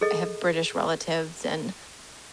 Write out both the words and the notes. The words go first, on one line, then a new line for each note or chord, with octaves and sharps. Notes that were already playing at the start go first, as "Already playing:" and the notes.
I have British relatives, and
G#4 A4 D#5